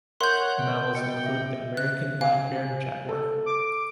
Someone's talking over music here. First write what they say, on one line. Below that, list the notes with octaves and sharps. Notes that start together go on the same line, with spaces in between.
Mammals include the American black bear and jaguar.
A#4 C#5 E5 F#5 C6 F#6 G6
B2 G5
D#5 C#7
E5
C#3 F#6
F5 G#5
A4
D6